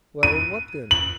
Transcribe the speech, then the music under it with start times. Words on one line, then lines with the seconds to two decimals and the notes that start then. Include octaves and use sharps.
"Well, what then?"
0.23 D#7
0.91 F#7